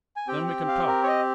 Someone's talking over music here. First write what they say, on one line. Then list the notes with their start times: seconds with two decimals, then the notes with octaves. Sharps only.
Then we can talk.
0.16 G#5
0.27 C4 G4 G5
0.47 G5
0.68 F5
0.88 A#4
1.03 C#5
1.07 D#5